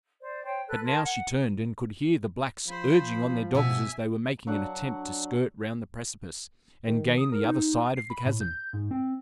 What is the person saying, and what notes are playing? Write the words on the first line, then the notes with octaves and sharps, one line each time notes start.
But now she turned, and could hear the Blacks urging on their dogs as they were making an attempt to skirt round the precipice, and gain the other side of the chasm.
C5 D5
C5 C#5 G5
A4 B4 F#6
A#4 A5 C6 G#6
F#5
F3 C5 B5
B2 E5 G#5
F#3 D4 F#5
D#3
D#6
A#4
D#4
C7
B5
A2
G6
G#2
C4